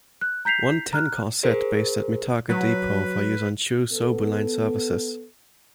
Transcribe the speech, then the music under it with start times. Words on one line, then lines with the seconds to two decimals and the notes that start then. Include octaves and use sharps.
One ten-car set based at Mitaka Depot for use on Chuo-Sobu Line services.
0.21 F#6
0.45 A#5 G6 B6 C7 F7
0.93 A#5 F6 F#6
1.43 G#4 A#4 C5
2.49 F#3 B4
3.92 B3 A4